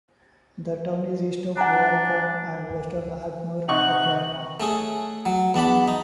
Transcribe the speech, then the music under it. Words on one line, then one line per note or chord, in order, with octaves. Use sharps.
The town is east of Waurika and west of Ardmore, Oklahoma.
D4 F#5 G#5 A#5
C3 D#4 F#5 C#6 F#7
A3 C#4 G#4
F#3
E2 D4 F#5 B5
D#4